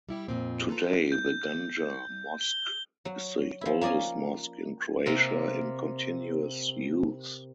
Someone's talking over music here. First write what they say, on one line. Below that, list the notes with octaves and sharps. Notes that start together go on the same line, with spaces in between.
Today the Gunja Mosque is the oldest mosque in Croatia in continuous use.
G3 E4 G4
F2 A#2 C4
F4 A4 B4 A#5
G6
G7
F#3
F3 E4
A#3 C#4 D5 D#5 G#5
C3 A#3 F4